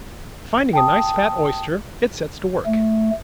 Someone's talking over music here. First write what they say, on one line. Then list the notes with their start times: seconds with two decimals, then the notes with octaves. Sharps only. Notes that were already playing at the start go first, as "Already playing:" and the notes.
Finding a nice fat oyster, it sets to work.
0.73 G5 A5 D#6
2.66 A3